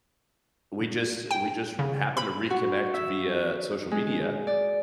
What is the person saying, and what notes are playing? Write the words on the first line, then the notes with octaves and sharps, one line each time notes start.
We just we just r happened to reconnect via social media,
G5
C#3
B5
F#4
E5
G#3
D5